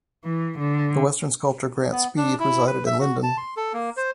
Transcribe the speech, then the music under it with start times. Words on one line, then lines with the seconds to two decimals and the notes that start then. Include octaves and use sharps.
The western sculptor Grant Speed resided in Lindon.
0.25 E3
0.59 D3
1.91 B3
2.17 D4
2.39 E4
2.67 B4
2.86 E5
3.00 F#4
3.23 A5
3.37 C6
3.57 A4
3.73 A#3
3.97 C5